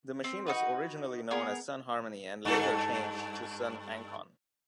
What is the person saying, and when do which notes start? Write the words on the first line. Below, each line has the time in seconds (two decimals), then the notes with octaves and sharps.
The machine was originally known as Sun Harmony and later changed to Sun Ancon.
0.24 C4
0.46 D#4 F#4 B4
1.31 B3 G#4 A#4
2.45 G2 A4